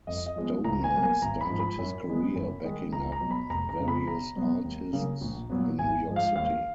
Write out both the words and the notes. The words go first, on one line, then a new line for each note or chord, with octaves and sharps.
Stoner started his career backing up various artists in New York City.
F2 D#5
D#5
F3 G#3 B3
C#2 A#5
G#5
B2 F#3 A#3
G#5
G#1 A#5
B5
G#2 F3
B5
F#2
D#3 G#3 B3
F#2
D#3 G#3
C#2 A#5
A#5
B2 F#3
B5
F1 A#5
A#5
F2 C#3 G#3 B3
B5
B1 A#5
B2 F#3 B3
D#2
C#3 F#3 A#3
A#1
A#2 F#3 B3
G#1 G#5
G#2 F3 G#3
F5
D#2 F5